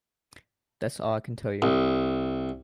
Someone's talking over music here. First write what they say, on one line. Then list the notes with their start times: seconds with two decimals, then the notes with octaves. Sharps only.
That's all I can tell you.
1.62 C2